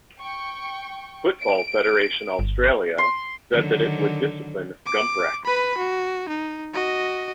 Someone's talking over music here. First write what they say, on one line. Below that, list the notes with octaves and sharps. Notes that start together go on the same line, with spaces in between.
Football Federation Australia said that it would discipline Gumprecht.
G5 C#6
D7
G1
C6
D3 D#3 F#3
D6
B4 B5
F#4
D#4
F#4 D#5